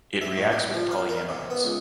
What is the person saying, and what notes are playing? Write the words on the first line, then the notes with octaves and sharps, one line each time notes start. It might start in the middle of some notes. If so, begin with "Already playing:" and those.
It reacts with polyamides.
E5
A2
G3
F3
F5
A#4
C3
B3
C#2